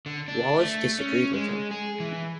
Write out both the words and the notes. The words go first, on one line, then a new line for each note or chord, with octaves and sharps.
Wallace disagreed with him.
D3
D4
A3
C#4
G#3
G#4
E3